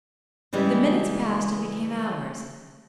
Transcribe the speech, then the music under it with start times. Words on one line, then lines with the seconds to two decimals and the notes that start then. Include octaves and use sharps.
The minutes passed and became hours.
0.53 C#3 E3 G3 G#3